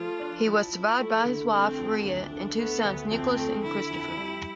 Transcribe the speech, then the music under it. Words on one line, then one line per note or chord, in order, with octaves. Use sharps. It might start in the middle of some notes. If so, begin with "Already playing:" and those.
He was survived by his wife, Rhea, and two sons, Nickolas and Christopher.
Already playing: F3 A3 F4
D4
F3 E4
F3
A3
D3
A3 C4
F2
D2 D4
D3
A3 B3
D2
F2 C4
A3
D3 E4
F2
G3